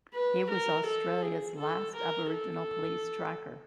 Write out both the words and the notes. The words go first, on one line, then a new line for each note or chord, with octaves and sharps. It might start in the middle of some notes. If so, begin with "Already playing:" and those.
He was Australia's last Aboriginal police tracker.
B4
A#4
A4
G#4
A4
A#4
A4